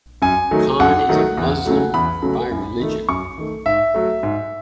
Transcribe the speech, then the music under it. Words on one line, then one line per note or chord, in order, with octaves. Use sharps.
Khan is a Muslim by religion.
F#2 G#5
D#3 F#3 A3
F#2 F#5
D#3 F#3 A3
E2
C#3 F#3 A3
E2 B5
C#3 F#3 A3
F#2
D#3 A3
F#2 C#6
D#3 A3
G#2 E5
F#3 A3
G#2